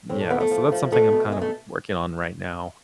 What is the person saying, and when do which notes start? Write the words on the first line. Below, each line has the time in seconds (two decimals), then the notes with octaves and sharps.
yeah, so that's something I'm kind of w working on right now.
0.09 A2 C4
0.21 D4
0.30 F3 B3
0.40 A3
0.51 F3
0.72 F3
0.91 B2 A3
1.12 B2
1.32 B2 G#3
1.41 A3